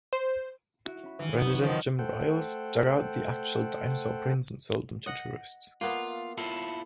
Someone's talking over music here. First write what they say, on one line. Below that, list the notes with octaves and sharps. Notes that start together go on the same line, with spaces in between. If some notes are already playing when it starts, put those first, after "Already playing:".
Resident Jim Ryals dug out the actual dinosaur prints and sold them to tourists.
C5
E4 F#4
C#4 B5
D#1 D#3 E3 F6
C2 F#2 C#3 B3
C#5
E2 B2 D#3 F3
A3 A4 C5 F#5 G5
D#5 F#5
A#3 B3 F4 E5
E4 F4 A4